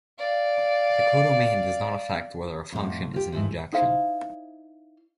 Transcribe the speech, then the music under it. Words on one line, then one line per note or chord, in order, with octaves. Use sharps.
The codomain does not affect whether a function is an injection.
D5 F5
F2 A2 G4 F#5
F4 G4
G#2 E3 F3
D#4 E4 C5 F5